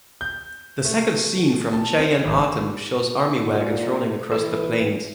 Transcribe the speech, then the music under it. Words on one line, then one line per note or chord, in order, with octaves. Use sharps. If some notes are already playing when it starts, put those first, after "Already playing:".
The second scene from "Cheyenne Autumn" shows army wagons rolling across the plains.
G6
A3
A5
C4
G#1
A#2
E3 A4